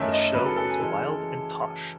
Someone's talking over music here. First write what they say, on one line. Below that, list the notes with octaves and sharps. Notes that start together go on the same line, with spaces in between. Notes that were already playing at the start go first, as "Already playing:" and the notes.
The show is Wilde and Tausch.
Already playing: F#2 D#3 A3 C#4 E5
D#5
F#2 C#3 F#3 B4
A4
A4
G#4
C#3 E3 G#3 A4